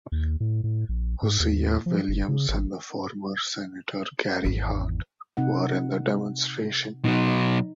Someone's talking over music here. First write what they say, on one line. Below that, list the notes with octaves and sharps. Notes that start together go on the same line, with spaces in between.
Hosea Williams and former senator Gary Hart were in the demonstration.
D#2
A2
A2
A#1
G#2
D#2
F3
F#1
C#3
G#1
G#1 E2
C3 D#4 F#5
B2 F#3 D#4